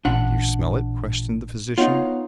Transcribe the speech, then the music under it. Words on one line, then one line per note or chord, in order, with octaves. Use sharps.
"Do you smell it?" questioned the physician.
A1 A#2 D4 F#5
B3 D#4 F4 C#5 F#5